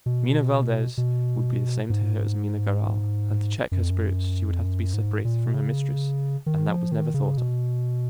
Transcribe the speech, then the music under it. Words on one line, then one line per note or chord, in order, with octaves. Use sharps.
Minha Valdez would be the same to her as Minha Garral, and to check her spirits she would have to be separated from her mistress, and that was never thought of.
B2
B2
G#2
F#2
F2
F#2
F2
F#2
G#2
A#2
B2
C#3
D#3
F3
D#3
C#3
B2